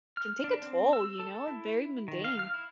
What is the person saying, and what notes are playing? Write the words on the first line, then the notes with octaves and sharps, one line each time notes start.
can take a toll, you know? Very mundane.
F6
D4
C4
E6
A4
E4
D#3
F5
F6
E4